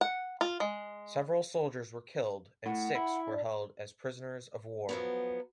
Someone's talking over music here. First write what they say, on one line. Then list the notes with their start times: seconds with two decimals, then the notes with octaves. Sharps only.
Several soldiers were killed and six were held as prisoners of war.
0.01 F#5
0.41 F4
0.60 G#3
2.66 A2 F#5
2.95 E4
3.27 D4
4.89 F3 F#3 B3